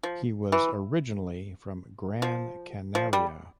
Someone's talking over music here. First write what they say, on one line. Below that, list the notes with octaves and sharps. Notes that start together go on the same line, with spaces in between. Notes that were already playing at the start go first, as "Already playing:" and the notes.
He was originally from Gran Canaria.
F3
E3
F3
F3
G3